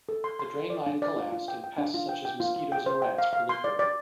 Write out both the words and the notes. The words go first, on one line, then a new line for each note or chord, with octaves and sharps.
The drain line collapsed and pests such as mosquitos and rats proliferated.
A4
C6
C6
A4
D5
D4
D5
F4
F4
G5
G5
D4
F4
G5
G5
F4
F4
G5
C5
G5
F5
F5
C6
D5
D5